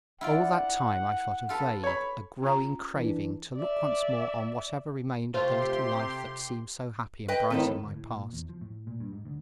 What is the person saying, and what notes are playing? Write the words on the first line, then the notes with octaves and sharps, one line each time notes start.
All that time I felt a vague, a growing craving to look once more on whatever remained of the little life that seemed so happy and bright in my past.
E4 F4 D5 F#5
F4 A4 B4
C#5 B5
C#4 F4 A#5
E3 D4
D5 E5
C3 A3 F4 G4 C5 C6
B4 D#5 G5
A2 D#3 F3 C4 A4 B4
G1
A2
A#2
E2
F3
A2
A#2
G2
G#2
D2